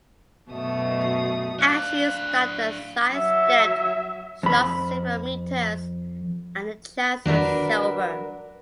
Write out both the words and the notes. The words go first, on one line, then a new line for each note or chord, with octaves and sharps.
As she stopped and sidestepped, she lost several metres and the chance at silver.
F#2 B2 A3 D#6
D4 F5 F#6
F#3 E5
F2 B5
F#3 D4 A#4 B4